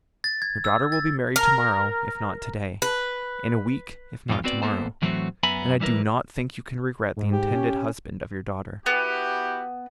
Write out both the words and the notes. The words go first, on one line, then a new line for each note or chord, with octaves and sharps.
"Your daughter will be married to-morrow, if not to-day--in a week, if not to-morrow; and I do not think you can regret the intended husband of your daughter."
A6
G#6
E6
A6
A#4
B4
F2 G#2 B2 F4
B3 C4 F#4 B4 D5
A#3 B3 A4 C5
A2 E3 F#3 A3 C4 F#4
F#2 B3 E5 G#5 A#5 B5
E3 G3 E4 A#4 B4
G#2
G4
C#4
B3 E4 F#4 G4